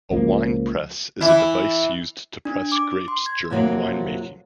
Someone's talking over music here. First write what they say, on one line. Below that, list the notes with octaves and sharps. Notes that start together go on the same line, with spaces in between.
A wine press is a device used to press grapes during wine making.
C#2 F3 A#3
E3 E4
D4
D6
C6
G#6
F2 C3 F#3 A3 A#3